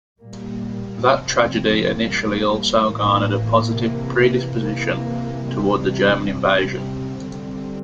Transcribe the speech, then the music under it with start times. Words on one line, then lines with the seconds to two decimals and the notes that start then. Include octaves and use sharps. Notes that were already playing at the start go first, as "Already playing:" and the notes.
That tragedy initially also garnered a positive predisposition toward the German invasion.
0.20 A#2 G3 A#3
1.07 C3 F3 C4
1.95 A#2 G3 A#3
2.83 A2 E3 A#3
3.70 C3 E3 A#3
4.57 C3 E3 A#3
5.44 C3 E3 G3
6.31 C3 G3 C4
7.19 D3 G3 C4